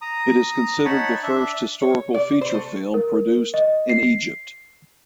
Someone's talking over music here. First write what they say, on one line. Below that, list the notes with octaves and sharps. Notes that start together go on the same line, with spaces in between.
It is considered the first historical feature film produced in Egypt.
A#5 D#6
D#4 C#5 F#5 A5 B5 C#6
D4 E5
C#5
D5
C5
A3
A#4
D#5
C7